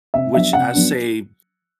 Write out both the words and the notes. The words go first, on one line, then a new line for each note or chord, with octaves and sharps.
which I say
C3 E5
F#3 B3 D4 E5
C3 F#5
F#3 B3 D4